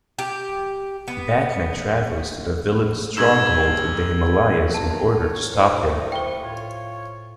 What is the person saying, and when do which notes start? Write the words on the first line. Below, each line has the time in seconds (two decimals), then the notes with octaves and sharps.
Batman travels to the villain's stronghold in the Himalayas in order to stop him.
0.19 G4
1.08 B3
3.17 G#2 E6 G#6 E7 F#7
4.74 B3 A5 A#5
5.16 D2 C#5
5.54 E4 C5
5.90 C3 D#4 E5
6.12 B4 C5 G5 C#6
6.43 A2 F4 C#5